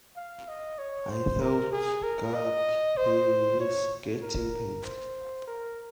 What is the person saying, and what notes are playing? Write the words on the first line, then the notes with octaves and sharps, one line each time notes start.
I thought, 'God, he is getting paid.
F5
D#5
C#5
C5
A#4
G#4
A#4
D#5
C5
C#5
A#4
C5
A#4